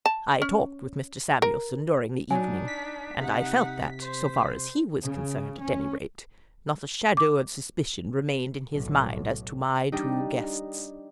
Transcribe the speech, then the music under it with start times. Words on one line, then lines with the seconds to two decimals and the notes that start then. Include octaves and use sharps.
I talked with Mr. Samuelson during the evening, and I felt that, so far as he was concerned at any rate, not a shadow of suspicion remained in his mind as to my two guests.
0.06 A5
0.42 C#4
1.42 A#4
2.31 F#3 D4 D#4 G#5
2.68 B6
3.18 C3 D#4 F#5
4.00 C5
5.02 C#3
5.61 C#4
7.17 D6
8.71 B1 A2
9.92 G3 D4 D#4